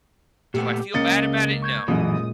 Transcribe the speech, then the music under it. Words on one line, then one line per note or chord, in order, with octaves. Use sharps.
Do I feel bad about it? No.
A#2 A3 B3 G4
C#2 A#2 C#3 A#3 D#5 A6 C#7
C#6 G6 G#6
A1 F#2 A#2 E3 G#3 D#6